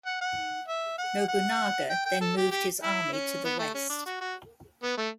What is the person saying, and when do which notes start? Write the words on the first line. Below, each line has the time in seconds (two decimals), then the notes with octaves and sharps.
Nobunaga then moved his army to the west.
0.05 F#5
0.21 F#5
0.68 E5
0.98 F#5
1.28 F#5
1.90 G5
2.05 G5
2.21 A4
2.37 G4
2.51 G4
2.83 E4
3.12 C#4
3.44 B3
3.59 A3
3.74 C#4
3.89 D4
4.06 F#4
4.21 F#4
4.83 B3
4.97 A3